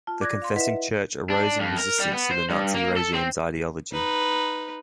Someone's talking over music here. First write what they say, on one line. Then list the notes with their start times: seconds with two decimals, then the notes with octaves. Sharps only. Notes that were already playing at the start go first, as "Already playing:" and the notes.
The Confessing Church arose in resistance to the Nazi regime's ideology.
0.07 F4 A5
0.21 D5 D6 F#6 G#6 A#6
0.42 F5 C6
0.56 E4 B4 D#5 E5 F#5
1.30 D4
1.59 F2
1.78 A#4
1.99 G3
2.12 B3
2.31 C5
2.50 G2
2.74 A#3
2.96 A4
3.13 C4
3.92 D#4 B4